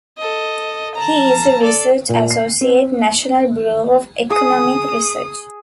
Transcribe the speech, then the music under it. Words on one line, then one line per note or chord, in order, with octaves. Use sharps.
He is a Research Associate, National Bureau of Economic Research.
A4 D#5
A5 A#5
A4 D5
A#2
C7
C4
G#4 D#6